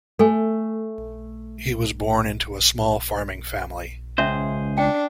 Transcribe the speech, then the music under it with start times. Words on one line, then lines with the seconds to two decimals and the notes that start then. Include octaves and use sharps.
He was born into a small farming family.
0.19 A3 A4 G#5
4.18 C#2 C#4 G#4 C5 E5
4.78 D4 G5